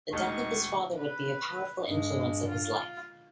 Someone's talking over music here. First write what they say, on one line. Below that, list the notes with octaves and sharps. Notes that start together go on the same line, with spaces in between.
The death of his father would be a powerful influence of his life.
E1 A3 D#4 F4 C#6
B4
G2 G#3
F4